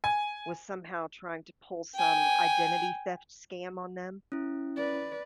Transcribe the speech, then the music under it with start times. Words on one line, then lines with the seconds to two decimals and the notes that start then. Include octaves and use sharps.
was somehow trying to pull some identity theft scam on them?
0.04 G#5
1.95 G5 G#5
4.32 C#4 E4
4.76 B4 D5